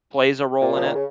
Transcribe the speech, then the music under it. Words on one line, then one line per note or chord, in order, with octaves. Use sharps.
plays a role in it.
A#2
F3
D#3
C#3